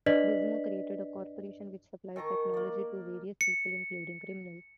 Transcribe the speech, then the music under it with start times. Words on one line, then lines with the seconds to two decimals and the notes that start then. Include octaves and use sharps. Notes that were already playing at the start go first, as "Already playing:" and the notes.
Gizmo created a corporation which supplied technology to various people, including criminals.
0.06 D4 B4 D5 D#5 B6 F#7
2.16 D#3 A4 A#5 C#6
2.54 A#3 D5
3.41 C#7